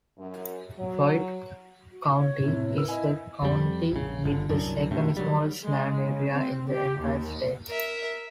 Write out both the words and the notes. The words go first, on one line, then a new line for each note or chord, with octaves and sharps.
Floyd County is the county with the second-smallest land area in the entire state.
F#2
F#3
F#4
C#5
A2 C3
A#4 B4 E6
E4 D#5 E5 G#5
F2 G3
A#1 C#3
G1 D3
C2 F#2 D4
G2 B2 D3 A3
D#3 F#3 G3
G#3
C#3
C4
G4
D#2
A#4 E5